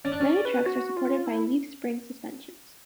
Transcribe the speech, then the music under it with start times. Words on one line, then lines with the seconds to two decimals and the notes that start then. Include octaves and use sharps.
Many trucks are supported by leaf spring suspensions.
0.05 C#4 D5
0.12 D4
0.20 C#4
0.26 D5
0.45 B4
0.66 F#4
0.96 F4
1.26 E4